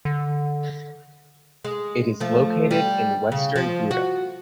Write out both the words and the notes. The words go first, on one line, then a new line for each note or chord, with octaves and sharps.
It is located in Western Ghouta.
D3
G#3
F3 A3
G3
C#3
F3
F#4